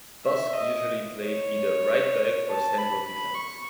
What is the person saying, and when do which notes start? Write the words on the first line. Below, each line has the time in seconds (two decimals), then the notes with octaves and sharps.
Busk usually played either right-back or central defence.
0.25 E5
0.53 D#5
1.23 C#5
2.50 A5
2.78 B5
3.06 B5
3.35 C#6